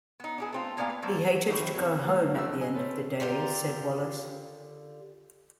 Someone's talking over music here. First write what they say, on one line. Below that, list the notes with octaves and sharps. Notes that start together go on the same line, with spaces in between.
He hated to go home at the end of the day, said Wallis.
B3 D#4
D4 E4 G#4
A3 C4 F4
A2 A#3 B3 D5 F5 G#5
B4
F3 F#3 A3 A#3
G#1 D#3 G4 C5 B5 C#6
E2 C3 C#5
G#2 A#3 F#5 F6
A#1 C4 F#4 A4 E6
D#5 G#5
C4 C#4 A4 B4
D3 F4 G4 A#4